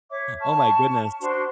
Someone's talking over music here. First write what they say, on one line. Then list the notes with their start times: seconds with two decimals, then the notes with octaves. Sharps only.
Oh my goodness.
0.09 C#5 E5 D6
0.41 A5 C#6 F6
1.19 D4 F#4 C5 C#6